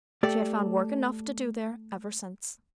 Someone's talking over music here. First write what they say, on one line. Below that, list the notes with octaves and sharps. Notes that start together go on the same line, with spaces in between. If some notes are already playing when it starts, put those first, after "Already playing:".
She had found work enough to do there ever since.
A3 G4 A4 D5